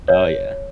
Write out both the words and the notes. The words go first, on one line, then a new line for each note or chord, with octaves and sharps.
Oh, yeah.
C#5